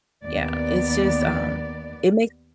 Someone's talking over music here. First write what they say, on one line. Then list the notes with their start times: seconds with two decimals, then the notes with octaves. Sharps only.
yeah, it's just, um, it makes
0.24 D#2 B3 D5